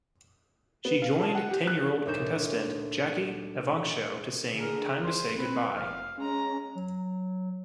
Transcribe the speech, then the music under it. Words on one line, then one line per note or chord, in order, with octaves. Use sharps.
She joined ten-year-old contestant Jackie Evancho to sing "Time to Say Goodbye".
B3
F5
A5
F#5
G4
F#6
D2 A#2 D#4 C#5 G6 E7
D3 G#4 A#4
G1 C5
C4 B4
F1 F5
G#3 C#4 A#5
F#3